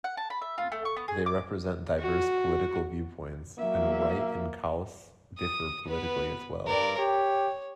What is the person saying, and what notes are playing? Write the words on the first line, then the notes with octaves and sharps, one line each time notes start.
They represent diverse political viewpoints, and Wright and Kaus differ politically as well.
F#5
A5
B5
E5
F4
A3
C#6
B3
G#4
D6
F#4
F#3 A#3 E5
D#6
B3 B4
G2 A#4 D5
G4 C#5